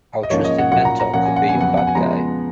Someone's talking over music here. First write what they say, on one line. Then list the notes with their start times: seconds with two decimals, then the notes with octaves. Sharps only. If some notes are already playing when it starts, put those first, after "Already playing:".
Our trusted mentor could be the bad guy.
0.23 D#5
0.30 G#2 F3 A#3 C#4 C#5
0.44 D#5
0.58 F#5
0.71 A#2 F#3 A#3 F#5
0.85 A#5
1.00 A#5
1.14 A#2 F3 A#3 C#4 F#5
1.25 G#5
1.36 F#5
1.49 G#5
1.55 F2 C#3 F#3 B3
1.61 F#5
1.77 F#5
1.87 G#5
1.95 C#3 F3 G#3 B3 A#5